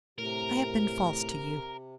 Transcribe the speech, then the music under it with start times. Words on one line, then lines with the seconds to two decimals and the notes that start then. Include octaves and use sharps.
I have been false to you.
0.18 A2 C3 A#4